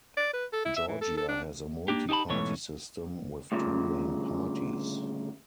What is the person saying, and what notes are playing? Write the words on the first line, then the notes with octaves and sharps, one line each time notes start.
Georgia has a multi-party system, with two main parties.
D5
B4
A4
E4
E5
E3
A4
A4
D4
A#3 D4 G4
D#4 G4 G#4 A5 B5
G#2 B2 E3 A3 C#5
D2 G2 A#2 C#3